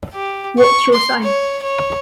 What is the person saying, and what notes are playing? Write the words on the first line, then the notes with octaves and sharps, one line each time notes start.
What's your sign?
G4
C#6
C6
C#5
C#5